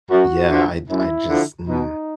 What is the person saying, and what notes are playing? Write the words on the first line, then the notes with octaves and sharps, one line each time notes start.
yeah, I I just mm.
F#2 F#4
D3 F3
F#2 E4
D3 F3
B2 D#4